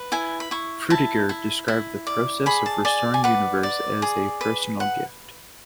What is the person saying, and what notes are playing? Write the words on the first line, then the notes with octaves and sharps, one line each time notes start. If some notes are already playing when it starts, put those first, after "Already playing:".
Frutiger described the process of restoring Univers as a personal gift.
Already playing: B4
E4 G#5
B5
E4 C#6
E4 A5
E4
E4
D5
G#4 B5
A5
D5 G#5
G#5
B4 F#5
D5
G#4
B4
F#5